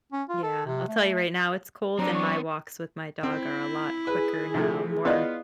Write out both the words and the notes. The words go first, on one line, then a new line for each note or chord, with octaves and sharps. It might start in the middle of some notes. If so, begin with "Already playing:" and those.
Yeah, I'll tell you right now, it's cold, and my walks with my dog are a lot quicker now, more
C#4
F4
A4
C3
A3
F#3 B3 C4 D4 A#5
C#6
C4 E4
G#4 B4
C3 F3 A3 D#4
B3 E4 F4 D5 D#5 F#6